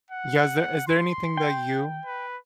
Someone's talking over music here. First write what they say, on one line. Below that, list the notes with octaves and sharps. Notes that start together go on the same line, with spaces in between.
Yeah, is there is there anything that you
F#5
C6
G5
B4